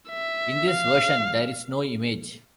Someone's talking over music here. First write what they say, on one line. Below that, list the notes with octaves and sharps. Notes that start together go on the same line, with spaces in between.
In this version there is no image.
E5
F5